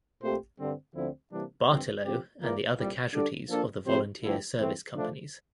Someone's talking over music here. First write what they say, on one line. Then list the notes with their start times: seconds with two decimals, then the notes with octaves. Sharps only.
Barttelot and the other casualties of the Volunteer Service Companies.
0.23 A#2 A3 C4 G4 C5
0.59 G2 D3 G3 C4
0.95 D2 D3 F3 C4 E4
1.32 C3 E3 G3 A#3 D4
1.68 G2 D3 F3 C4
2.04 D3 F3 C4 G4
2.41 E3 A#3 F4 A#4 D5
2.76 C2 A#2 G3
3.13 D3 G3 D4 A4 D5
3.49 F3 A#3 D4 F4 A4
3.85 C3 F3 C4 G4 C5
4.22 D3 F3 A3 E4 G4
4.58 A2 E3 A3 C4
4.94 F3 A3 D4